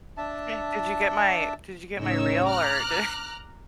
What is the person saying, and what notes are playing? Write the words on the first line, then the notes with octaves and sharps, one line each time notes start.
Okay. Did you get my did you get my reel or, d
D4 E5 A5
A2 C#3 C#4 D#4 C#5 E6
A#5 D6 F6 F#6